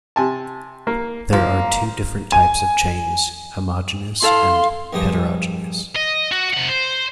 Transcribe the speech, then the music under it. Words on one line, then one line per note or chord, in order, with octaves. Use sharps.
There are two different types of chains: homogeneous and heterogeneous.
C3 G#5 A5
A#3
F3 A#3
G#5
E4 A4 F5 C6
A#1 G2 G3 G#3 G#4 G5
D#5
F#4
C3 F#5
C5